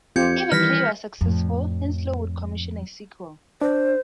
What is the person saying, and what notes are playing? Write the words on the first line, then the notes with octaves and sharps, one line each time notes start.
If a play was successful, Henslowe would commission a sequel.
F2 C4 F4 G4 G6 G#6 C#7
D#3 E3 G3 B4 F6 A#6 B6
F2 A2
D4 C5